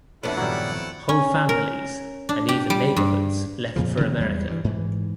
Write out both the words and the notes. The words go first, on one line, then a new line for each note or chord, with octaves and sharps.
Whole families and even neighborhoods left for America.
F2 A3 B3 D4 E4 C#5 E5 F#5
G2 A#2 D#3 F#3 G3
C#4
A#4
D4
G4
G3
G2
F2 A#2 C#3 F3
C3 D#3 F3 B3
E2 G3 G#3
G2 E3
G#2 E3